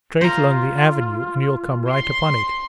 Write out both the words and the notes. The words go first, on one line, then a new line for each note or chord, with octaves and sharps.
Straight along the avenue and you'll come right upon it.
F4 C5 A#5
C6